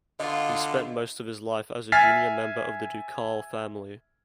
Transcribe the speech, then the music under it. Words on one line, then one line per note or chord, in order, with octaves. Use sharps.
He spent most of his life as a junior member of the ducal family.
D3 F4 D#5
E5 G#5 F6 A6 B6 C7